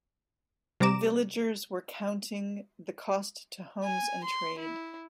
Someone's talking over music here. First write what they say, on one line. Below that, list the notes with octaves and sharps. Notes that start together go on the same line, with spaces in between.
Villagers were counting the cost to homes and trade.
C3 G3 A#5 D6 E7
G#5
C6
E4